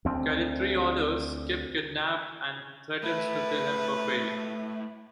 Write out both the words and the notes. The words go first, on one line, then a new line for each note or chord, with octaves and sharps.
Calitri orders Kip kidnapped and threatens to kill him for failing.
D2 C4
A3 E4 B4